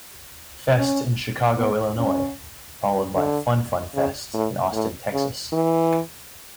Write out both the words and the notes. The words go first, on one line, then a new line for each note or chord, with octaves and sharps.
Fest in Chicago, Illinois, followed by Fun Fun Fest in Austin, Texas.
C#4
B3
C#4
D3
C#3
A2
A2
C#3
E3